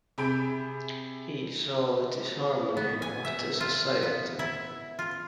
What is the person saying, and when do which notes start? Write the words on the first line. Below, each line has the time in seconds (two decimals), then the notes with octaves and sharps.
He saw disharmony of the society.
0.18 C3 G#4 B5 G6 D7
2.77 B3
3.02 G#5
3.25 E5
3.60 F4
4.03 B3
4.39 E4
4.99 F4